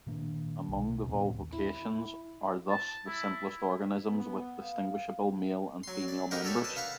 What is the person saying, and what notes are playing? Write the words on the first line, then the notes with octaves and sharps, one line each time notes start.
Among the Volvocaceans are thus the simplest organisms with distinguishable male and female members.
A#2 D#3 A#3 D4
B1
D#2 A2 C3 B3
E4
A5
E4
B3
F5
F#3 C6
D5
D#4 F#4 G4 A#4 F#5 G5
A4 C#5 D5 B5
B4 A5
F5 F#5 B5 C#6